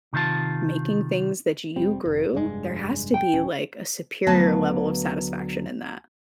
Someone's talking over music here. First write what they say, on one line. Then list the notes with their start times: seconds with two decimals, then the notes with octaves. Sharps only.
making things that you grew, there has to be, like, a superior level of satisfaction in that.
0.13 C3 D#3 F#3 F4 A5
1.76 F1 G3 C4
2.05 F1
2.33 F1 G2 G#3
3.14 G5
3.33 D#1 C#4
4.27 D2 F#3 B3 B4 F5 A5